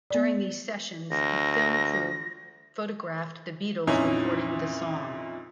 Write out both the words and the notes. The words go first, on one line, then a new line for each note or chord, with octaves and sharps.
During these sessions, a film crew photographed the Beatles recording the song.
B3 D5
D2 A#6
F2 A#2 C#4 D#4 E4